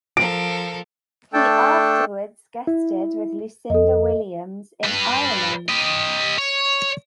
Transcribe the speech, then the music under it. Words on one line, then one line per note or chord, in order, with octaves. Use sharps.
He afterwards guested with Lucinda Williams in Ireland.
F3 A4 A#4 D7
A3 D4 A4 G5 A5
E4
F2 A4 D#5
G3 B4
G4 D#5
C#5